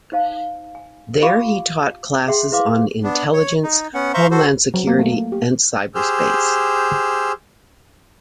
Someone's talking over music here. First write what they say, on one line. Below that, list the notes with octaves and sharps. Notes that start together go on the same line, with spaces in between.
There he taught classes on intelligence, homeland security and cyberspace.
D#4 C5 F5 A5
G#5
F4 G4 F5 B5 C#6 D6
G#4 E5 F#5 G5 C6
E4 B4 F5 C6 D6
B3 D4
C#5
D#4
B3 C#4 F#5
C5 E5 F5 A#5 C6 C#6
F#4 A4 C5
F#3
A#3
A3
A#3
G4
G4 G#4 C5 E6 F6 G6